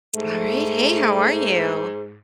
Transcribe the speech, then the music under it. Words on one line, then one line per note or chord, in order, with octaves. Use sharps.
All right. Hey, how are you?
G#2 A3